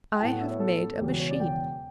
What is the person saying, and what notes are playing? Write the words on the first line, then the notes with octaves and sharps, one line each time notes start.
"I have made a machine!"
G5
A2 F#3 B3 E4 A5
F#5
E5
C#5
A4
E1 E2 C#3 F#3 B3 G4
F#4
C#5
D5
G5